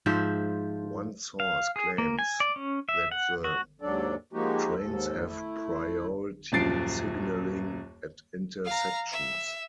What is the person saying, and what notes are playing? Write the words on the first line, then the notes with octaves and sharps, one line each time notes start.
One source claims that the trains have priority signalling at intersections.
G#2 F3 C5 E5
F5
G#4
A#3
G#5
D5
C#4
E5
F#5
F#4
D#2 G#2 F#3 D4 A4 D5
F3 G#3 A#3 D#4 F#4 G4
D#2 G#2 A4
A3 E4
D#1 F#2 F3 A6 C7 D7
F5 A#5
E5